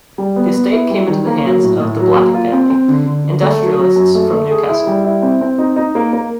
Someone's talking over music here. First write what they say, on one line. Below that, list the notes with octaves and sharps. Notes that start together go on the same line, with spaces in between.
The estate came into the hands of the Blackett family, industrialists from Newcastle.
G3
B3
B3
E4
G3
D#3
A#3
F#3
A2
A2
F#3
A#3
F4
C4
C4
D3
D3
D3
A3
F#3
F#3
F#2
A3
A3
G#4
E4
G3
E4
C4
C4
D#4
D#4
A#3
A#3